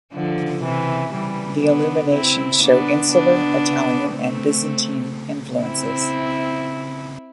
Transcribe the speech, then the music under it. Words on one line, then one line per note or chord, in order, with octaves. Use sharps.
The illuminations show Insular, Italian and Byzantine influences.
D3 F3
C3 E3
E3 G3
B3 D4
C4 E4
B3 D4
B3 D4
A3 C4
C4 E4